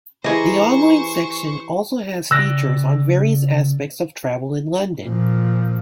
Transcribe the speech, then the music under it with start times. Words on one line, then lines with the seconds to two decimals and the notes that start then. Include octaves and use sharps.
The online section also has features on various aspects of travel in London.
0.24 E3 G4 G#4 C5 D#5 A#5 C#6
2.31 C#3 D5 G5 E6 F#6 A#6
5.05 A#2 F3